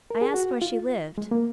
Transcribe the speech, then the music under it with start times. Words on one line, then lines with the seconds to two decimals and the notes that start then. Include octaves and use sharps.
I asked where she lived.
0.11 A#4
0.21 G#4
0.34 F#4
0.62 F4
1.18 G#3
1.31 A#3